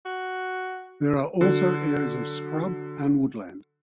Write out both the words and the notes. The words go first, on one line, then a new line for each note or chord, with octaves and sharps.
There are also areas of scrub and woodland.
F#4
D3 F#3